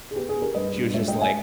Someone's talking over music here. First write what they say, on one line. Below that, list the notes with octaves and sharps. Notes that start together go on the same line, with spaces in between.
She was just, like
G#4
B3 G4
G#4
B3
G4 A#4
G2 B4 D#5
G2
G#3 C#5 E5
D#5 G5
G#3
E5 G#5